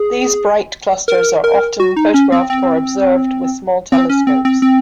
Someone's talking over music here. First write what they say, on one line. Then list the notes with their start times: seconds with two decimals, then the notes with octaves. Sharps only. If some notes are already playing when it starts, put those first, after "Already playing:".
These bright clusters are often photographed or observed with small telescopes.
Already playing: G#4
1.08 A#4
1.44 A#4
1.80 F#4
1.96 D#4
2.14 C#4
2.32 C4
2.50 C4
3.92 C4
4.10 C#4
4.27 C4
4.45 C4
4.62 C4